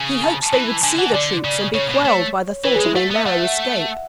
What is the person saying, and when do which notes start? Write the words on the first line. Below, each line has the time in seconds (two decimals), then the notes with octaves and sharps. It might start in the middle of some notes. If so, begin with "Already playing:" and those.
He hoped they would see the troops, and be quelled by the thought of their narrow escape.
Already playing: C#3 G#5
0.24 A5
0.53 E3
0.83 D3 G#5
0.98 E3 F#5
1.14 D3 D5
1.44 C#3
1.74 C#3 C#5
1.89 B2
2.05 A3
2.65 E3 B4
2.76 G#3 G#4
2.86 E4
2.95 A3 F#4
3.11 B3 E5
3.26 A3 F#5